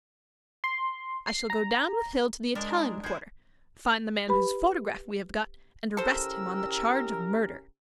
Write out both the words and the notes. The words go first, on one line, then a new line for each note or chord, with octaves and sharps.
I shall go down with Hill to the Italian Quarter, find the man whose photograph we have got, and arrest him on the charge of murder.
C6
C7
A#5
G#3 D4 A#4
D#4 A5 A#5
G#3 E4 G6 G#6 C7
G4 B4 B5
C#3 E4 G4 A4 A#4 C5 E6